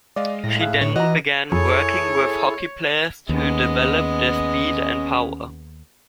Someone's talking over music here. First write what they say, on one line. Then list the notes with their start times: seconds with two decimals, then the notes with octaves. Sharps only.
She then began working with hockey players to develop their speed and power.
0.16 G#3 D5 D#5 F5
0.44 A2 A#6
0.61 G#4 E5 F5 F#6
0.81 D3 C#5
0.96 E3 F#4 D#5 A#5 F#6
1.52 F2 E4 G#4 A4 C#5
3.29 D#2 G#3 B3 C#4 D#5